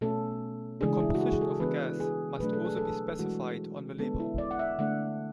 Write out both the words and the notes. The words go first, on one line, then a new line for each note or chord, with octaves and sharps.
The composition of the gas must also be specified on the label.
B2 A3 C#4 A4
C#3 E3 G#3 D4 G#4
E4
F#4
G#4
G#4
A4
E3 B3 D4 B4
G#4
B2 F#3 A3 D4 B4
A4
G#4
A4
E3 G#3 D4 F#4
D3 G#3 B3 D4 A4
E4
D5
F#5
E5
D3 A3 D4 F#5